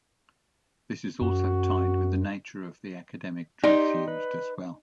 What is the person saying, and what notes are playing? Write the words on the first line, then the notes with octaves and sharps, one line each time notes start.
This is also tied with the nature of the academic dress used as well.
F#2 F#4
D#4 G4 D5 G5 C6
B4